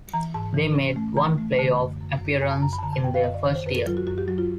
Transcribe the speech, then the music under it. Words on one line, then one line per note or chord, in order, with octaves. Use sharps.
They made one playoff appearance in their first year.
E3 A#5
G#2 A5
E3
C#4
A3
E3 A#5
A3
D3 A5
F#2
F#2
F#2
F#2 G#5
A5
F#2 A#5
B5
A5
D3 A#5
A5
F#2 G5
F5
F#2 D#5
D5
D#3 C#5
C5
F#2 B4
A4
F#3 F4
F#4
F#2 F#4
G4
F#3 F#4
F4